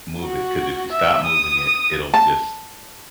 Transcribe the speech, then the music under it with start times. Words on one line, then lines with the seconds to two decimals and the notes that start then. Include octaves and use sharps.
move it, 'cause if you stop moving it, it'll just
0.22 F#4
0.92 E5
1.25 D#6
2.14 A5